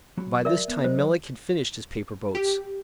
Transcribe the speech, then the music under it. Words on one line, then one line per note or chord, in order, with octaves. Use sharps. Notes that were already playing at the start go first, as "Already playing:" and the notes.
By this time Melick had finished his paper boats.
F#3 F#4 B5
A#4 D5 E5
B3
F#3 C5 D#5
G4